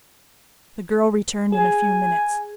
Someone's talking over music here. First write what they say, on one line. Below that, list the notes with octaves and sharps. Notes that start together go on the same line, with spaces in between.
The girl returned in a few minutes.
G#4 G#5